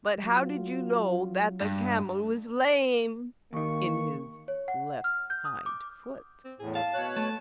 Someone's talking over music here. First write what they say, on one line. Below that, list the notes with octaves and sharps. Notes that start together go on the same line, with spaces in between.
"But how did you know that the camel was lame in his left hind foot?"
F#3 C#4 F4 F#4
G2
D#2 D#3 A#3 C#6
C#5
F#5
F6
G6
D#6
D6
C4
E2 A2 G#4
F5 A5
B2 C#5 F#6
A3 A5